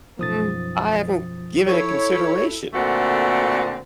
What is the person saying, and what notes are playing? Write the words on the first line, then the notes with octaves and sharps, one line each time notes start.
Mm, I haven't given it consideration,
B1 F#2 F3 D#6 A6
E4 A4 C#5
A#2 D3 A3 C4 F#4